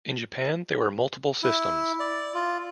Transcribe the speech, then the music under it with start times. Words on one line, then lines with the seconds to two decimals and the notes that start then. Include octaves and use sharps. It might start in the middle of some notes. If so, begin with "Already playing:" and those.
In Japan there were multiple systems.
1.43 E4
2.00 D5
2.34 F4